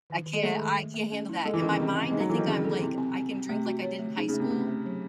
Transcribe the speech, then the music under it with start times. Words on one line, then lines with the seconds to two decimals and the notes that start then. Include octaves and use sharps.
I can't I can't handle that. In my mind, I think I'm like, I can drink like I did in high school,
0.10 D#3
0.26 D#3
0.33 G#3
0.43 A3 G#4
0.61 D#3
0.77 A3
0.94 A3
1.12 C#4
1.29 E4
1.45 G#3 A4
1.54 E3
1.62 D#3 C#4
1.71 C#3
1.80 C3 E4
1.96 C#4
2.11 G#3 D#4
2.20 F#3
2.30 E3 A4
2.38 D#3
2.47 C#3 C4
2.64 A4
2.70 C#3
2.82 C3 E4
2.98 C4
3.15 C4
3.32 C4
3.49 C3 A3
3.65 F#4
3.82 C#5
3.99 A3
4.17 C#3 D#4
4.28 C#3
4.34 A3
4.40 C3
4.50 C3 A3
4.67 A3
4.85 F#3